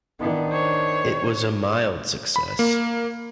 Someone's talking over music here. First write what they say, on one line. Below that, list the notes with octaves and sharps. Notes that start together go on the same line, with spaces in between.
It was a mild success.
D#3 B3 D4 E4
C5 C#5
B5
A#3